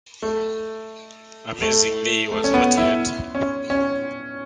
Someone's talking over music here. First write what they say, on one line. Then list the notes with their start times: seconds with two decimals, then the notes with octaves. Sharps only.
Amazingly, he was not hurt.
0.22 A3
1.62 A3
2.31 A3
2.44 C#4
2.54 B3
2.78 E4
3.35 C#4
3.70 C#4